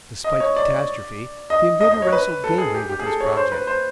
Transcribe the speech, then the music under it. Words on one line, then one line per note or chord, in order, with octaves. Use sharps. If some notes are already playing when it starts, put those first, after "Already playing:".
Despite catastrophe the inventor wrestled gamely with his project.
D#5
C#5
D5
D#5
D#5
D#5
C#5
B4
A4
G#4
G4
G4
G#4
A4
C#5
C#5
C5
B4
C5